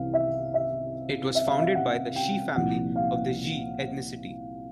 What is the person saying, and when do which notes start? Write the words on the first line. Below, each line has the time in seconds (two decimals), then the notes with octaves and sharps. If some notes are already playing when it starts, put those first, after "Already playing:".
It was founded by the Shi family of the Jie ethnicity.
Already playing: C2 C3 E3 F5
0.14 E5
0.54 E5
1.35 E5
1.47 F5
1.60 E5
1.75 F#5
2.16 G5
2.55 C2 A#2 F3 F#5
2.96 F5